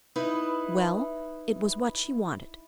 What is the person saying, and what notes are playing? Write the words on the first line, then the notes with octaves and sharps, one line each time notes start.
Well, it was what she wanted.
D#4 E4 B4